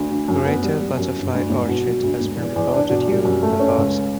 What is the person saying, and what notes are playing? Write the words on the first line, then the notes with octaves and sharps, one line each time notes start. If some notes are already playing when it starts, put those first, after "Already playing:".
Greater Butterfly Orchid has been recorded here in the past.
Already playing: D2 F#4
D2
F#2
B3
G3
G3
F#2
G1
D2
E1
B2
F#3
D2
E1
E2
E2
D4
B2
G3
F#2
A3
C#4
C#2